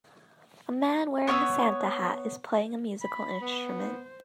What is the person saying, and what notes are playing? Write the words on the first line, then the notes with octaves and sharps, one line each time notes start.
A man wearing a Santa hat is playing a musical instrument.
B3 C#5 G5 E6
B5
B3
C5